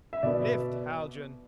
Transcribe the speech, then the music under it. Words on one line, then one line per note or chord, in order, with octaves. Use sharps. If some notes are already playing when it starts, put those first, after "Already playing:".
"Lift, Haljan!"
E5
B2 B3 D5